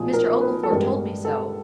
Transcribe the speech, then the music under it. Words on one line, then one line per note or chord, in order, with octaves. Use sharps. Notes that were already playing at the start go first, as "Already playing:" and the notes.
"Mr. Oglethorpe told me so."
Already playing: B1 A#2 F3 A3 G#4
A#4
B4
A4
A1 G2 E3 G#3 A#4
A4